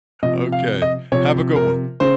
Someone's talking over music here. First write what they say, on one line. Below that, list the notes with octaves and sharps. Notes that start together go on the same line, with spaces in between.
Okay. Have a good one.
C3 F3 D#5
F5
D#5
C3 F3 C#5
A#4
C#3 C5